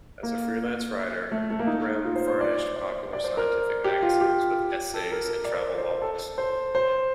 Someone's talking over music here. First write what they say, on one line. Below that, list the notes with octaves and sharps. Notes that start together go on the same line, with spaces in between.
As a freelance writer, Brehm furnished popular-scientific magazines with essays and travelogues.
A#3
A3
A3
A#3
D#4
F4
C5
C5
D5
C5
D5
D5
C5
A#4
G4
F4
G4
A4
A#4
A#4
D5
C5
C5
C5
A4
C5
C5